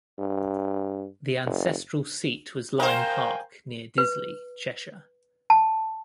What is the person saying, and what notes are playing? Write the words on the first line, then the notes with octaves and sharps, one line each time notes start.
The ancestral seat was Lyme Park, near Disley, Cheshire.
G2
F#1
A#4 C5 F5 G5 G#5
B4
A5